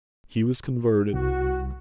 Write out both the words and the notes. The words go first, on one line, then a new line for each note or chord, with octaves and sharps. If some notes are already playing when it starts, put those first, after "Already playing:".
He was converted.
C2 F#4